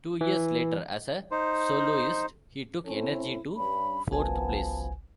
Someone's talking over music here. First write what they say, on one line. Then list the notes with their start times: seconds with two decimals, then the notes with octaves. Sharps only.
Two years later, as a soloist, he took "Energy" to fourth place.
0.21 E3
1.31 D#4 C5
2.86 C4 C#4 E4 A4
3.56 G2 C#4 B5
4.12 G1 C2 F#2 F3 B3 G#5 A5